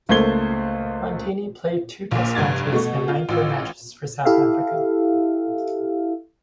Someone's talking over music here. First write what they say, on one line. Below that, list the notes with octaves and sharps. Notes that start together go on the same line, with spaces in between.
Montini played two test matches and nine tour matches for South Africa.
C#2 A3 A#3 C5 G#6 G7
A#1 A#2
F1 G2 G#6 A6
B2 A3 C#6
F4
A1 F4 E6
E4 G4 A4 E5 F5